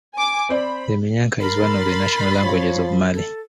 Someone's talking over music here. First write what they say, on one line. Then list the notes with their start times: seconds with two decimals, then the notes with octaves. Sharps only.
Minyanka is one of the national languages of Mali.
0.14 G#5 D6
0.49 C4 C5 D5 B5
1.41 A#4 B5 C6 A6
2.43 F3 C#5
3.14 A4